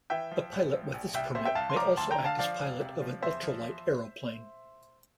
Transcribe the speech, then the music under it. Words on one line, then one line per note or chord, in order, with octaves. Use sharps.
A pilot with this permit may also act as pilot of an ultra-light aeroplane.
E3 E5 G5
F3
A#1
F3
A#1
C2 E5 G5
C3 C5 E5
E5 G5
C2 F5 A5
C6
F3 A#5 D6
D2 A5 C6
G5 A#5
D3
F5 A5
F3 D5 F5
E1
C3
F3
E2 C5 E5
F3